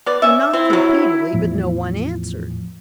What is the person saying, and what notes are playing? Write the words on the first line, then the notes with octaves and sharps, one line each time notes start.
He knocked repeatedly but no one answered.
B3 D5
C#4 E5
C4 E4
C3 F#3
E2 A2 F3